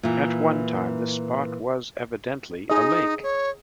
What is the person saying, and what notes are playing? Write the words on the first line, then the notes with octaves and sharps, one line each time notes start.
At one time this spot was, evidently, a lake.
A#2 E3
D#4 G#4 D#5
C#5